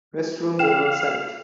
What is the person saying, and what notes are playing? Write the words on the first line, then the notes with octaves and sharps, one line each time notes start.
Restrooms are on site.
F5 G5 E7